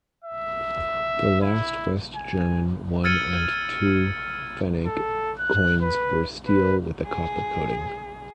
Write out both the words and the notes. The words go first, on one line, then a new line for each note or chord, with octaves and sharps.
The last West German one- and two-pfennig coins were steel with a copper coating.
E5
E4
G#5
E6 F6 G#6 A6 C#7 D#7
A4
F#6
B4
B4
G#4